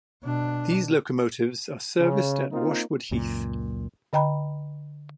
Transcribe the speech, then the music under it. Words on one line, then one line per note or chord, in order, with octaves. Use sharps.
These locomotives are serviced at Washwood Heath.
B2 D4
C#3
A#3 C4 D#4 F4
C#2 F#2 A#2
D3 D#5 G5 A#5 B5